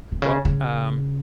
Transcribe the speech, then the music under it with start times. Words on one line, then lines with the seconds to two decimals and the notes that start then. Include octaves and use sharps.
Well, um,
0.12 C3
0.22 C#3
0.45 C#3